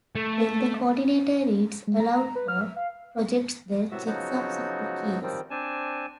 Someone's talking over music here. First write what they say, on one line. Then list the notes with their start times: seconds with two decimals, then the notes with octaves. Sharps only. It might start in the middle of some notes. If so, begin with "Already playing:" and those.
Then the coordinator reads aloud or projects the checksums of the keys.
0.15 A3
1.87 G#3
2.00 A#5
2.16 A#5
2.35 B4
2.48 F6
2.61 E5
2.76 F5
3.91 A2 C3 F#3 B3 F#4 E5
4.06 C#3 F3 F#3 B3 D#4 F#4
5.22 D#3 F3 G3 C4
5.50 C4 D4 G#5 A5